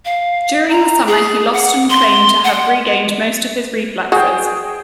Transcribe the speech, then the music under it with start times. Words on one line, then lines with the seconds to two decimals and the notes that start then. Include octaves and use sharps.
During the summer he lost and claimed to have regained most of his reflexes.
0.05 F5
0.69 A#5
1.07 G#4
1.53 F#5
1.90 C6
2.44 F#5
4.12 F#4 G#4 G5